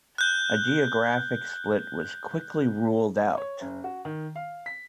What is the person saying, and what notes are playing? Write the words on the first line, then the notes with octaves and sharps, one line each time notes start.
A geographic split was quickly ruled out.
F#6 G6 G7
C#5
F#1
F#4
D#3
F5
B6